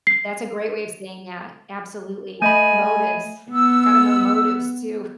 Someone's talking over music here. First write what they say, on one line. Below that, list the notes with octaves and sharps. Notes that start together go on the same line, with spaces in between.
That's a great way of saying that, absolutely, motives. Gotta know motives, too.
C7
A3 D#5 G#5 B5
B3 E6